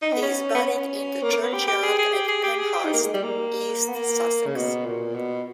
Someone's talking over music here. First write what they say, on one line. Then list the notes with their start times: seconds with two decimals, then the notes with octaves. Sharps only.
He is buried in the churchyard at Penhurst, East Sussex.
0.02 D#4
0.12 B3
0.22 C#4
0.55 B3
0.63 C#4
1.23 A#3
1.33 A#3
1.43 B3
1.53 G4
1.68 G4
1.83 G#4
1.98 G#4
2.13 G4
2.28 G#4
2.43 G4
2.59 G#4
2.74 G4
2.84 D#4
2.94 A#3
3.04 G#3
3.14 G3
3.24 A#3
3.88 B3
3.95 A#3
4.46 C#3
4.55 B2
4.86 A#2
5.15 B2